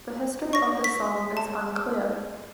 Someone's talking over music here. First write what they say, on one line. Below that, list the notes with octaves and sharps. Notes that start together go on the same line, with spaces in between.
The history of the song is unclear.
C#6 A#6
B6
A5